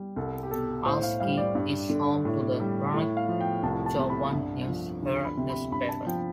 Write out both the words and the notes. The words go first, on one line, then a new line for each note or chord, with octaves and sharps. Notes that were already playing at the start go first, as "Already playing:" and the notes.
Ahoskie is home to the "Roanoke-Chowan News-Herald" newspaper.
Already playing: G3
C2 A4
G4
B2 A4
A2 C5
F5
G3 F5
D5
G2
D3
A2
G3
A2
F5
F3
G5
C2 A5
A5
C3
B5
G2
F3
D2
B5
C3
B5
G2 B5
A5
F3 G5